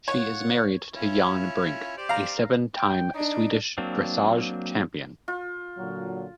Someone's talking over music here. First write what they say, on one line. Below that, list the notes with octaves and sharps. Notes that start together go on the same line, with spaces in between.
She is married to Jan Brink, a seven-time Swedish dressage champion.
F4 C#5 F#5
C#4 E4 F4
G4 C5 D5
F5 A#5
G5
D4 D#4
F#3 A#3 C4 D4
F4
A#2 D3 F#3